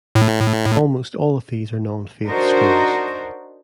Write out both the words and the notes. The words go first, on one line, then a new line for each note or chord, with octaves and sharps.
Almost all of these are non-faith schools.
A2
D4 D#4 F#4 A#4 C5